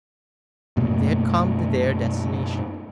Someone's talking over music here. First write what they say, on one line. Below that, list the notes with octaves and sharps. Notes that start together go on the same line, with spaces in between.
They had come to their destination.
F#2 B2 A3 A#3